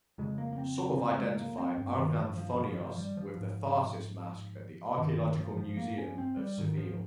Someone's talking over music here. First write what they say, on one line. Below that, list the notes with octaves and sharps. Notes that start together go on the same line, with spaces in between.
Some have identified Arganthonios with the "Tharsis Mask" at the Archeological Museum of Seville.
F2 C#3 G#3
A#3
A#3
C4
C4
C4
G#3
A#3
C4
G2 C4
D#3
F3
F3
F3
F3
G3
F3
G#2
G2 D#3
D#3
F3
F3
A#3
C#4
C4
G3
G#2 D#3
F3